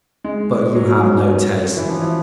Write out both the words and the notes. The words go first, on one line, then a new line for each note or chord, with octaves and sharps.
But you have no taste!
G#3
F#3
E3
F3
E3